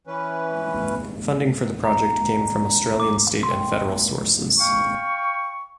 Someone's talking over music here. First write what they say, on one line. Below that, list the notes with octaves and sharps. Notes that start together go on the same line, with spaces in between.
Funding for the project came from Australian state and federal sources.
E3 C#4 B4
A#5
D6
F5 G5 C#6